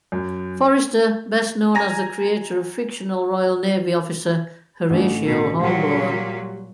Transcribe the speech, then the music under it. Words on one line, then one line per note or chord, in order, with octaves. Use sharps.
Forester, best known as the creator of fictional Royal Navy officer Horatio Hornblower.
F#2
G#5 A#5 A#6
A1 A2 D3
B2
A#2 F#3 G3 F#5